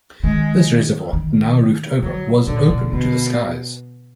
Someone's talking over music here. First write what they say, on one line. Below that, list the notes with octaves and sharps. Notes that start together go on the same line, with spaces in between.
This reservoir, now roofed over, was open to the skies.
D#3 G#3
D#3
D3 F#3
A#2 D3
B2
B2 D3